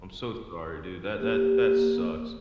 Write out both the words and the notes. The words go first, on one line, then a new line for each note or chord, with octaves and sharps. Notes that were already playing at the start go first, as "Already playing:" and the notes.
I'm so sorry, dude, that that that sucks.
A#3 G4